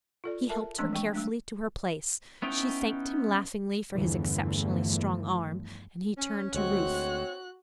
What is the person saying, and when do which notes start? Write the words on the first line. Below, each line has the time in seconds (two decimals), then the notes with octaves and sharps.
He helped her carefully to her place; she thanked him laughingly for his exceptionally strong arm, and he turned to Ruth.
0.24 F4 A4 D5
0.49 A4 A#4 E5 A5
0.78 E3 F3 G#3 A3 C4 D4
0.93 G#3 G5 C#6
1.13 G3 A3 D4
2.42 B3 C#4 D#4 E4 G5
3.93 G1 E2 D3 E3 F3 A3
6.18 C#4
6.54 D2 G#3 C4 F#4 C#5 F#6